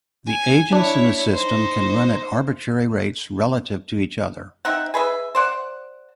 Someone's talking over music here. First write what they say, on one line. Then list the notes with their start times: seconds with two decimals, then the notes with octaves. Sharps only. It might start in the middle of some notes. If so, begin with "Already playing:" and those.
The agents in the system can run at arbitrary rates relative to each other.
0.27 G#5
0.73 D4 E4 C#5
1.33 D#4 C5
4.65 C4 D#4 E5 F#5
4.94 G#4 B4 D#5 E5
5.35 C5 D5 F#5